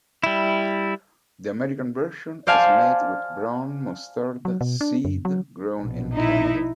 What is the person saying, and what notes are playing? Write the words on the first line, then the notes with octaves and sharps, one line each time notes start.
The American version is made with brown mustard seed grown in Canada.
G3 E4
C5 D5 F5 G#5 A5
F#3
B2
D4
F#2
F#3
A#1 B2
D#4 E4